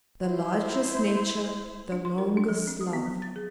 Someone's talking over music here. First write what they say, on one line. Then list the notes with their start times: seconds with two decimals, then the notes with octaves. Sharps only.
The Largest Nature, the Longest Love.
0.24 E4 C5
1.92 D4
2.05 C6
2.18 A#4
2.37 D4
2.49 F3
2.67 C4
2.81 D#6
2.93 B3
3.06 F#3
3.22 A6
3.36 G#4